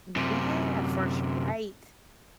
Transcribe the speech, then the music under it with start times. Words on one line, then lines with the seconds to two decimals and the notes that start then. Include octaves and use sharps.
Yeah, for su right.
0.16 F#2 C3